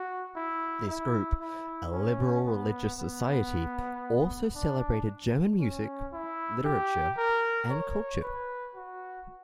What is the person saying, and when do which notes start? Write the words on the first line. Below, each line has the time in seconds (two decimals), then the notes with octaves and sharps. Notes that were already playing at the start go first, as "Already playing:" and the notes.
This group, a liberal religious society, also celebrated German music, literature and culture.
Already playing: F#4
0.36 E4
0.88 E4
1.40 E4
1.93 C#4
2.46 B3
2.99 B3
4.55 D4
5.60 C#4
6.13 E4
6.65 G4
7.17 A#4
7.70 C#5
8.22 B4
8.75 F#4